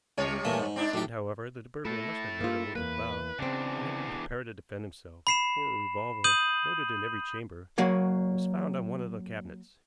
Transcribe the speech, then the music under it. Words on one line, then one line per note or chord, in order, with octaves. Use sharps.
It seemed, however, that the burglar must have heard her moving about and had been prepared to defend himself, for a revolver, loaded in every chamber, was found on one of the cabinets.
C#2 C3 G3 C#5
A#2 E3 A3
G#2
C4 D4 D#4
A2 G4
A3 E4 A4
A#3 F4
E2 G#2 A#3 B4
E2 C#3 C4 D4
B5 C7 E7
D#6 G6 D#7 F#7
F#3 A#3 C#5 F#5